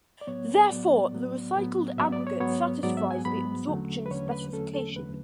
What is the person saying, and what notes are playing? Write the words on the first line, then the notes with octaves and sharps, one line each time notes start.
Therefore, the recycled aggregate satisfies the absorption specification.
D5
A2 F#3 B3 C#5
A2 F#3 B3 D5
A2 F#3 B3
A2 F#3 B3
G#2 F#3 B3 E5
D5
C#5
G#2 F#3 B3 C#5
G#2 F#3 B3 D5
E5
G#5
G#2 F#3 B3 B5
E2 D3 F#3 A3 C#4
B4
E2 D3 F#3 A3 C#4 C#5
B4
E2 D3 F#3 A3 C#4 A4
A4
E2 D3 F#3 A3 C#4 B4